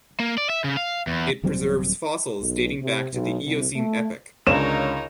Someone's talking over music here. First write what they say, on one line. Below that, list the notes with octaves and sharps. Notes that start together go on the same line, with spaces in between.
It preserves fossils dating back to the Eocene epoch.
A#3
D5
E5
C#3
F5
E2
D#1 F#3 G3 C4
B1
C3
B1
C2
A3
C#2 D3 D#4 A#4 C#5 F5 E7